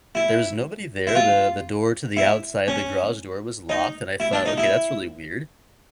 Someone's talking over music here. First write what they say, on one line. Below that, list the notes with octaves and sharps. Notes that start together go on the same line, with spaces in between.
There's nobody there, the the door to the outside, the garage door was locked, and I thought, "Okay, that's really weird."
E4
E4
F4
E4
C#4
D#4
E4
D4
D#4
E4